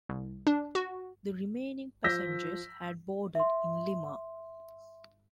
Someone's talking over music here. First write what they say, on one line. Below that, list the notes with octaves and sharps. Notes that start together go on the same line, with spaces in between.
The remaining passengers had boarded in Lima.
C2
D4
F#4
F3 E6 G6 A#6 B6
E5 C6